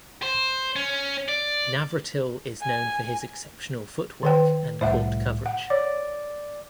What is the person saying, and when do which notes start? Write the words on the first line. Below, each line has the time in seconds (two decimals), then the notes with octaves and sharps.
Navratil is known for his exceptional footwork and court coverage.
0.23 C5
0.76 C#4
1.29 D5
2.61 G#5
4.23 D#3 B4 G5
4.81 C2 A2 C5 E5 F#5
5.46 F#5
5.70 C#5 D5